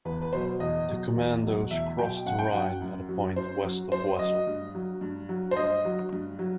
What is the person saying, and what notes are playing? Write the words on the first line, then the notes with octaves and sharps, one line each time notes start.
The Commandos crossed the Rhine at a point west of Wesel.
E2 B4
B4
B2 F#3 C5
E2 D#5
B2 F#3
E2
B2 F#3
E2 E5
B2 F#3 G5
F#2 F#5
G5
F#3 F#5
F#2
F#3
F#2 C5
F#3
F#2 C5
F#3 D#5
G2
F#3
G2
F#3
C5
G2 D#5
F#3
G2
F#3